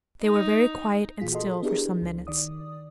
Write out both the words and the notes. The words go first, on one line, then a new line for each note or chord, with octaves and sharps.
They were very quiet and still for some minutes.
D#4
A#2 E3 F4 G#4 B6
F#4 G#4 A4 D#5 C6
B3 D4 E4 G4 G#4 A#4
C#2
D#3 D5 D#6